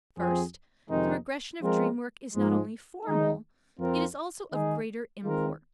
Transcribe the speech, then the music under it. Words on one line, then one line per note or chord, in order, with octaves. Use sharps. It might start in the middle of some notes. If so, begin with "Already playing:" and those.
First: the regression of dream-work is not only formal, it is also of greater import.
F2 F3 C4 G#4
F2 C3 D#3 G#3 D#4
F3 G#3 C4 F4 A#4
G#2 F3 G#3
D#3 G#3 D#4
F2 F3 C4 F4 A#4
D#3 G#3 D#4 G#4
D#3 G#3 C4 F4 A#4